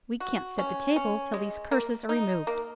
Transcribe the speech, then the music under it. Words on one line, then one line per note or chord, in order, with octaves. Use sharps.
We can't set the table till these curses are removed.
F#4
C#4
C#4
G#3
A#3
D#4
A#3